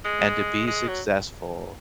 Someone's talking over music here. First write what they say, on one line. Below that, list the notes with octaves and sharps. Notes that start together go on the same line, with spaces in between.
and to be successful
G#3
G#3
F#3